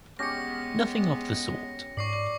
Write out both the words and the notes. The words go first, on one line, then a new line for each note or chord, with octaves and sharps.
Nothing of the sort.
G#3 B3 C#4 G4 A#6 C#7
G#2 D5 C#6 C7 F#7